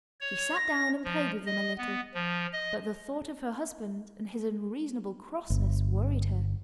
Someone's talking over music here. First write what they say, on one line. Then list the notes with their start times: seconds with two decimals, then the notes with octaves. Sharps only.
She sat down and played with them a little, but the thought of her husband and his unreasonable crossness worried her.
0.20 C#5
0.56 A#6
1.04 F3
1.46 D#5
1.78 B3
2.14 F3
2.53 D#5
5.50 G1